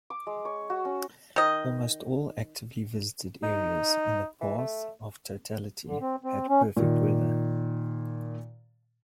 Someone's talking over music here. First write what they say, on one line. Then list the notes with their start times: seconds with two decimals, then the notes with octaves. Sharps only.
Almost all actively visited areas in the path of totality had perfect weather.
0.10 D6
0.27 G#3
0.45 C#5
0.70 F#4
0.85 C#4
1.36 D#3 D#5
3.43 D#4
4.41 E3
4.58 A3
5.87 D3
6.01 C4
6.24 C4
6.49 C#4
6.77 A#2 D#3